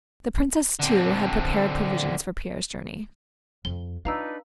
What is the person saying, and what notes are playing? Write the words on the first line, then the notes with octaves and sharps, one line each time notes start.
The princess too had prepared provisions for Pierre's journey.
D3 C4
F2 G7
D4 D#4 F4 B4 F5 A#5 E6